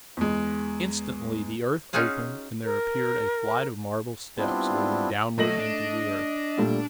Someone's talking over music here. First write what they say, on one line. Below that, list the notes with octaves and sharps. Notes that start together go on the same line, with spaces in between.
Instantly the earth opened, and there appeared a flight of marble steps leading downward into the earth.
E2 G#3
C#4 D#4 F4 F#4 G#4 F5
A#4
G3 B3 C4 D4 E4 F4
F#3 A3 D#5 A#6 F#7
D4
A#2 G3 A3